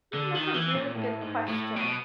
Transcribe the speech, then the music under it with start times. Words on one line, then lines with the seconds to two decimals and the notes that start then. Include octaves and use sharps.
Hmm, that's a really good question.
0.14 D3
0.35 D#3
0.54 E3
0.74 A#2
0.95 A2
1.22 G#2
1.49 A2
1.76 B2